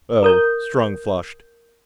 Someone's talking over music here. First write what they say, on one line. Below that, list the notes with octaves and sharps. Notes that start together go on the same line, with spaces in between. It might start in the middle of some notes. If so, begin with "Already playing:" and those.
"Oh--" Strong flushed.
A#4 D#6 G6